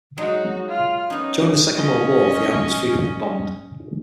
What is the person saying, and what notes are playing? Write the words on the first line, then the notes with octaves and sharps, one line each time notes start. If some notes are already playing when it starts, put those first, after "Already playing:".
During the Second World War the island was frequently bombed.
F#3 G#3 D#4 F#4
F4 F6
B3 C#4 D#4
C#4 D#5